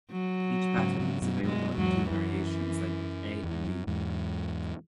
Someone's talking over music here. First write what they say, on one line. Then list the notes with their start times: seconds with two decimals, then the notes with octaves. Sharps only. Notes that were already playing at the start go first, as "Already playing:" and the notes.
Each pattern is available in two variations, labelled "A" and "B".
0.11 F#3
0.77 G#2 C#3
0.99 G#2 C#3
1.22 F#2 B2
1.43 F#2 B2 G#3
1.77 E2 G#2 F#3
2.10 F#2 E3
3.43 E2
3.65 F#2
3.87 E2 G#2